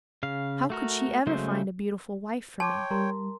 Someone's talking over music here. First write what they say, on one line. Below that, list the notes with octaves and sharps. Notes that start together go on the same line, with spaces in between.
How could she ever find a beautiful wife for me?
C#3 F5
A3 F#4 A#4
C#3 F#3 G#3 A3 C5
C#5 G5 A5 C6 D6
G3 A#4 A#5 C6